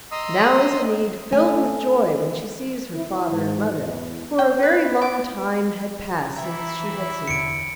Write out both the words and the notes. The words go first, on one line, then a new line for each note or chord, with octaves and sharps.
Now is Enide filled with joy when she sees her father and mother, for a very long time had passed since she had seen them.
D#5 A#5 C6 D#6 E6
A3 G#5
E4
G#2
E2
G5
B4
D6
E3 E4 E5 G5 A#5
E2 D3 C#7 D7